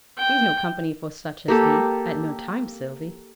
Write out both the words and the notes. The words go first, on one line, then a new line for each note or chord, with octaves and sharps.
He's no company for such as thee, at no time, Sylvie.'
G5
A#3 G4 A4